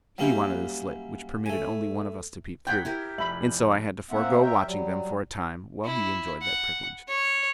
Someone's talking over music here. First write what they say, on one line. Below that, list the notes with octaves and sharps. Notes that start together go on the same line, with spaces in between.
He wanted the slit, which permitted only one of us to peep through; and so I had to forego watching them for a time while he enjoyed that privilege.
F#3 G3 A#3 C#4 E4 G4
A3 G#5
F#5 G5 A#5 B5 G6 G#6 B6
E4 G4 A#4
F1 E5 B5 F#7
A#3 C4 E5 F#5
A#4 C#5 E5 G5
F#3 G3
E4
F#5
C#5